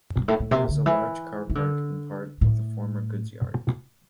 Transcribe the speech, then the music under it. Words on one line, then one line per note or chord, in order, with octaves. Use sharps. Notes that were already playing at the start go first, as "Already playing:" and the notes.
There is a large car park in part of the former goods yard.
G2
A2
A2
C3
D3
E3
E3
D3
A2